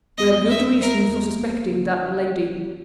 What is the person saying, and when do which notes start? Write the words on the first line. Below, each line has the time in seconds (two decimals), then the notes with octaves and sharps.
We have good reasons for suspecting that lady.
0.18 E2 D#5
0.39 E2
0.50 E5
0.60 A#3
0.82 E2 A#4
1.03 E2
1.25 A#3
1.45 A#3
1.66 C#3
1.87 A#3